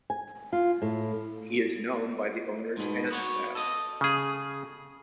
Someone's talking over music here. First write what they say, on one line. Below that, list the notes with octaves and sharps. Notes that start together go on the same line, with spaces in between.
He is known by the owners and staff.
G#5
F4
A2
G#2 B2
B3 F#4 C#5
A4 D#5
C#3 G#4